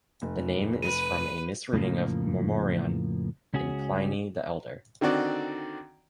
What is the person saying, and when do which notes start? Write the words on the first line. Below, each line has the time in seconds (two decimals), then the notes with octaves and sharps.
The name is from a misreading of "mormorion" in Pliny the Elder.
0.22 F1
0.82 B4 D#7
1.73 F2 A2 C#3 F3 A#3
3.54 C#2 C#4 F#4 G#4
5.01 D3 D#3 C4 F#4 D5